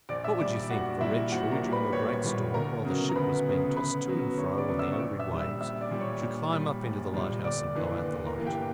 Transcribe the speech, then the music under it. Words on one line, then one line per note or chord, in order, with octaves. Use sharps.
What would you think of a wretch who, during a great storm, while the ship was being tossed to and fro on the angry waves, should climb up into the light-house and blow out the light?
A#1 D5 D6
E5 E6
A#2 G3 D5 D6
D5 D6
A#1 F#4 F#5
A#2 G3 E4 E5
A#1 F#4 F#5
A#4 A#5
A#2 G3
B4 B5
A#1 C#5 C#6
C#5 C#6
A#2 G3
D2 A#4 A#5
C#3 F#3 B3
A#5
D2 B4 B5
C#3 F#3 B3
D2 B4 B5
C#3 F#3 B3
D2 C#5 C#6
D5 D6
C#3 F#3 B3
E5 E6
C#6
A#1 D5 D6
E5 E6
A#2 G3
E5 E6
A#1 E5 E6
D5 D6
A#2 G3
C#5 C#6
A#1
A#2 G3
A#1
A#2 G3
G1 D5 D6
G2 E3 A#3
G1
A#4 A#5
G2 E3 A#3
G4 G5